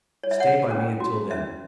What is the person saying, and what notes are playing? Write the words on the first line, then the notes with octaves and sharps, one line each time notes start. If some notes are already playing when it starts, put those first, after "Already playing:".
Stay by me until then.
C#5
E5
C#5 F#5
C#4
F#4
C#4 E5